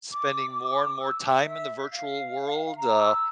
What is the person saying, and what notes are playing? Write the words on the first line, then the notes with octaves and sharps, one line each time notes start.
spending more and more time in the virtual world? Uh,
D6
E6
E5
F5
A#5
E6